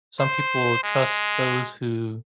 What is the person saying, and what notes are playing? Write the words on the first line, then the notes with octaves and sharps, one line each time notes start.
Some people trust those who
C5
G#3